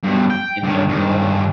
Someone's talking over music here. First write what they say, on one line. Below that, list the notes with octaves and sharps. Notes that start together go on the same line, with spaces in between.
in general.
G2 B2
G5
G2 D#3
G2 D#3